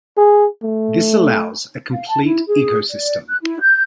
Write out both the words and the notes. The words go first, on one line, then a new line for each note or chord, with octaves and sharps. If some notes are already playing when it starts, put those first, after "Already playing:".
This allows a complete ecosystem.
G#4
A3
F5
A5
E4
G#4
D5
F#6
E4
G6